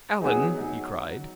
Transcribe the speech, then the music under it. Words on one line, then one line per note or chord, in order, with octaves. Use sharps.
"Alan!" he cried.
F#3 B3 D#4 G#4
F#3 D#4